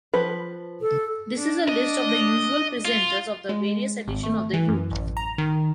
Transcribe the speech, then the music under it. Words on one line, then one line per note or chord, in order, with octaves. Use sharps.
This is a list of the usual presenters of the various edition of the Heute.
F3 B4
A4
D4
D#5
F4
G#3
G#1
A3
E3
F#2
A1
A#5
D#3